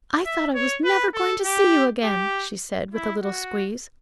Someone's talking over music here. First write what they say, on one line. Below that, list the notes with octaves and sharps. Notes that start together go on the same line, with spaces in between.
"I thought I was never going to see you again," she said, with a little squeeze.
E5
C#5
B4
A4
G4
G4
E4
F#4